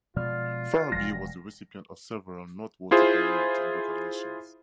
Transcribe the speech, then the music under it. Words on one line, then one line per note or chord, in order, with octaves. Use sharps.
Farabee was the recipient of several noteworthy awards and recognitions.
B2 F3 G#3 F4 D5 F6
E1 F3 G#3 A#6
E4 F4 G#4 C5